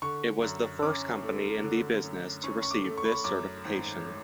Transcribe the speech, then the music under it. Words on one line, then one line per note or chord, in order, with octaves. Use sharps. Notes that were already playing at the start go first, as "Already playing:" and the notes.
It was the first company in the business to receive this certification.
D3 C#6
F#2
C#4 D6
A3
D3
F#2
C#4 C#6
C#6
D6
A3
C#6
B5
C#6
F#2 D6
G#1